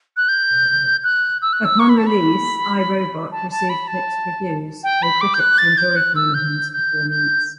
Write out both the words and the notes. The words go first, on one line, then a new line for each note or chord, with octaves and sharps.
Upon release, "I, Robot" received mixed reviews, though critics enjoyed Moynahan's performance.
F#6
G6
F#6
E6
F#6
E6
C#6
B5
A5
B5
A5
A5
B5
A5
G5
B5
D6
G6
F#6
A6
G6
F#6
E6
G6
G6
G6